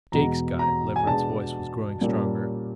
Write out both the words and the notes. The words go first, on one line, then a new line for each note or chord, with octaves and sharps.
"Jake's got it." Leverett's voice was growing stronger.
E2 B2 G#3 A#5
A#5
G#5
B2 G#3 B3 D4 A5
A#2 G3 A#3 C#4